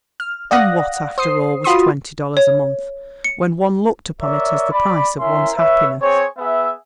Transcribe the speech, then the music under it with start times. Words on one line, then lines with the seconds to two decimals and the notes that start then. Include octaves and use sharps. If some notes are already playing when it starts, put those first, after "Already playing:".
And what, after all, was twenty dollars a month when one looked upon it as the price of one's happiness?
0.20 F6
0.51 D5 F5 F#5 D#6 F#6 A#6
1.18 C5 D#6 C7
1.64 F4 F#4 B5 C6 D#6
2.37 C#5
3.24 C#7
4.22 A#4 C#5 D5 E5
4.72 D5 B5
5.19 C#4 E4 A#4 E5 C6
5.57 B4 C#5 E5
6.02 C4 G#4 C5 C#5
6.38 B3 G#4 E5